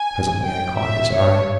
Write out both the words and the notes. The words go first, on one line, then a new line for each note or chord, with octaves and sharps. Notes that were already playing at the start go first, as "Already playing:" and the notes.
Presently I caught his eye.
Already playing: G#5
G5
E5
C#5